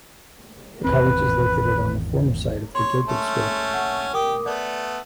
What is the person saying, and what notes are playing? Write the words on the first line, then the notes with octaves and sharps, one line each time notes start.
The College is located on the former site of the Gilberd School.
G#1 E2 C4 B4
C#5 C6
A3 C#4
F#5
G4 A#4 D6 D#6
A3 B3 D5